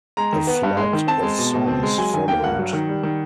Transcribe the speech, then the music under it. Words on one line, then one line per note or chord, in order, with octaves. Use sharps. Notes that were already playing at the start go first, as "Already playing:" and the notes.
A flood of songs followed.
G#3 A#5
D#3
B3
G2
G#3
D#3
C4 A5
G#3
B2
B2
C4
G#3
F#3 G#5
D#3 G#5
A#3 G5
G2 F#5
F#3
D#3
G3
D#3